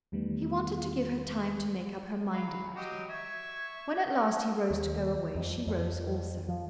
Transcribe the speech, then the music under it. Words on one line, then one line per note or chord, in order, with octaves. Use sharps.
He wanted to give her time to make up her mind about him. When at last he rose to go away, she rose also.
E2 D#3 G3 A3 B3
F#3 F5 B5
F#3 F#4 G4 D#5 G5
E5 C#6 G#6
A3
D#2
F2
F2
F3